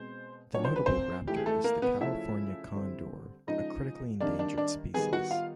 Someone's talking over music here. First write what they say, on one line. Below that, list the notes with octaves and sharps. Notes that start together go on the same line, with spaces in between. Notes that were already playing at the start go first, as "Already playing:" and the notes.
The notable raptor is the California condor, a critically endangered species.
Already playing: B2 G#3 C4 C5
A#2 F#3 A#3 D4 C#5
C5
B4
C4 C5
A2 E3 A3 G4
G#4
A3 A4
A#3 A#4
B3 B4
C#3 F3 A3 C#4 E4 E5
D3 G3 C4
C#3 F3 G#3 D#4 D#5
C3 D#3 G3 A#3 D4 D5
D4 D5
D4 D5
D#3 G3 B3 G#4 G#5
F#4 F#5
F4 F5